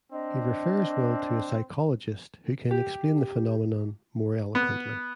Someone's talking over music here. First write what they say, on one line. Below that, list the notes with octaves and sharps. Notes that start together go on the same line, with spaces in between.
He refers Will to a psychologist who can explain the phenomenon more eloquently.
C4 D4 D#5
G4
B3